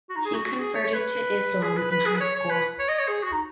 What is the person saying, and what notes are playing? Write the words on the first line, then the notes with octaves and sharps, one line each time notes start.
He converted to Islam in high school.
F#4
D#4
G#4
F#4
F#4
G#4
C#5
C#5
B4
G#4
B4
B4
G#4
B4
C#5
C#5
B4
C#5
D#5
C#5
G#4
F#4
D#4